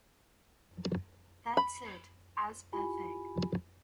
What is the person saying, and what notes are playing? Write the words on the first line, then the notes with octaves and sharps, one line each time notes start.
That is, as per Fig.
B5
E4 F4 G4 G#5 B5